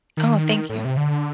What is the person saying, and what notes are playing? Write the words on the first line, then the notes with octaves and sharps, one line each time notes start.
Oh, thank you.
D#3
A2
C3
D3